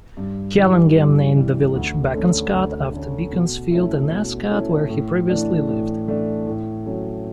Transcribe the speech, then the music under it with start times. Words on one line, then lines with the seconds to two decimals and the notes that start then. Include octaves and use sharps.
Callingham named the village 'Bekonscot' after Beaconsfield and Ascot where he previously lived.
0.17 G2
0.56 E3 G3
0.96 G2
1.35 E3 G3
1.74 D2
2.13 D3 A3 C#4
2.53 D2
2.93 D3 A3 C#4
3.32 B2
3.71 A3 C#4 E4
4.11 B2
4.50 A3 C#4 E4
4.89 A2
5.29 E3 A3 D4
5.68 A2
6.07 E3 A3 D4
6.47 A2
6.86 F#3 A3 C#4